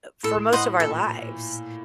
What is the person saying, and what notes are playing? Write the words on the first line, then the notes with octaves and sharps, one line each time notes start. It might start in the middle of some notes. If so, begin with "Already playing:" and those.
uh, for most of our lives.
A2 A4
A2 C5 D#5 F#5
A#2 A4